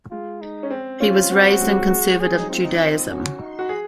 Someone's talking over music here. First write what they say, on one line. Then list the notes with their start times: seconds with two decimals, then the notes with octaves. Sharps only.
He was raised in Conservative Judaism.
0.11 G#3 F4
0.41 D#4
0.63 C#4
0.70 C4
1.00 C#4 F4
1.31 C4 F#4
1.52 F#3
1.61 G#3
1.91 G#3
2.20 F#3 G#4
2.40 D#4
2.50 C4 F4
2.65 D#4
3.10 C#4 F#4
3.40 D#4
3.59 F#4
3.69 G#4